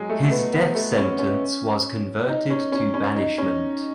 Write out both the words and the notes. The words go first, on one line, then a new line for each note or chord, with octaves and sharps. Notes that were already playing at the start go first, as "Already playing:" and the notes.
His death sentence was converted to banishment.
Already playing: F#3 G#3
A3
A3
B3
B3
A3
C#4
C#4
D#4
C#4
C#4
C#4
D#4
C#4